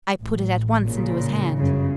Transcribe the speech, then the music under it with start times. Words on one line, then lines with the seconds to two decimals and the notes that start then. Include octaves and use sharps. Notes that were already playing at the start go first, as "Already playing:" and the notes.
I put it at once into his hand.
0.20 A1
0.83 A#2 C#3
1.54 G1 F#2 C#3